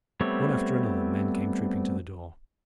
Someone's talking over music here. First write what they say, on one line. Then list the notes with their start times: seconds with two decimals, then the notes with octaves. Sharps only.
One after another, men came trooping to the door.
0.21 G3 A3 B3 C4 C#5